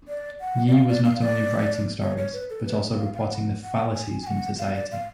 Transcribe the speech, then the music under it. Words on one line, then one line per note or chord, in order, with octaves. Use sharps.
Ye was not only writing stories, but also reporting the fallacies in society.
D5
F#5
D5
F5
D5
F5
D5
C#5
C#5
B4
A4
B4
F5
F5
F#5
F#5
G#5
G#5
F#5
F5
D5
F5